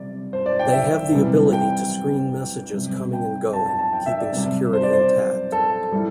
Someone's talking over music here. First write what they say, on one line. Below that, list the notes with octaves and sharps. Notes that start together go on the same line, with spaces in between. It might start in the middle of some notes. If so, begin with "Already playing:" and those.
They have the ability to screen messages coming and going keeping security intact.
Already playing: C3 G3 D5
C5
D5
G5
E5
C3 E3 G3
G5
C3 G3
G5
A5
A5
A5
G5
E5
D5
C3 G3
C5
D5
C5
A4
A2 G3